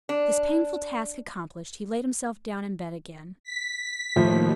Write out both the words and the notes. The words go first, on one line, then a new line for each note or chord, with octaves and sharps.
This painful task accomplished, he laid himself down in bed again.
D4
B6
D#2 A2 F3